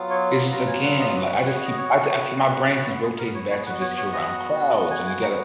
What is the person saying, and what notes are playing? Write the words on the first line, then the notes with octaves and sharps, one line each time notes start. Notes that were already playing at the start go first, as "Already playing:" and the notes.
It's just again, like, I just keep, I I keep my brain keeps rotating back to just you're around crowds, and you gotta
Already playing: F#3 B3 F4
C#5
B5
A#5
G#5
F#5
D#5
B3 F#4
C#5
D#5
C#5
F#4
G#4
A#4
C#5
C#5
B3 F#4 B4
C#5
C#5
D#5
G#5
G#5
A#5